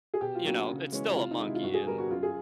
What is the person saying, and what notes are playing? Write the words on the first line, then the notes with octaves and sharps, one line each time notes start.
you know, it's still a monkey, and,
G#4
B2 G4
F4
F#3 A#3 D4 F#4
C#3
E3 G#3 C#4
E4
C3 F4
D#4
D#3 G#3
E4
F4
G2 F#4
G#4
D3 G3 B3 A#4
F#4
F#2 F4
G#4